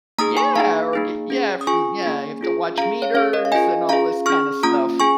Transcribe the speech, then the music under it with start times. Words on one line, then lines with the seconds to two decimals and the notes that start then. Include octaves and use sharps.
Yeah, or, g yeah, from, yeah, you have to watch meters and all this kinda stuff.
0.18 A#3 D#4 G#4 A#5 D#6
0.37 G#5 C#6
0.56 A#3 D#4 G#4 F5 A#5
0.93 A#3 D#4 G#4
1.30 C#4 G#4
1.61 D#6
1.67 C#4 F4 G#4 G#5 C#6
2.04 A#3 C#4 G#4
2.41 C#4 F4 G#4
2.78 C#4 G#4 F5 A#5
3.02 C#5 F5
3.14 C#4 G#4 C#5 F5
3.33 A#4 D#5
3.45 F5
3.52 C#4 F4 G#4 D#5 G#5
3.89 C#4 F4 G#4 F5 A#5
4.26 C#4 G#4 C#6 F6
4.63 A#3 C#4 F4 A#5 D#6
5.00 C#4 G#4 G#5 C#6